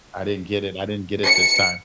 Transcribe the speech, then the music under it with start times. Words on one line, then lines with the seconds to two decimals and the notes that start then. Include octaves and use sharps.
I didn't get it I didn't get it this time.
1.26 C#7